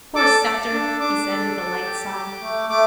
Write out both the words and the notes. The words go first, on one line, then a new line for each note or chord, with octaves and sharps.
Poor Sceptre! he said with a light sigh.
A4 D6
A4
D4
D4 D6
A4
A4
G4
G4
A3
A3 D6